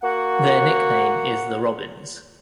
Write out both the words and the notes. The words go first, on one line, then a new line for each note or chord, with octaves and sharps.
Their nickname is the Robins.
A#3 F#4 F#5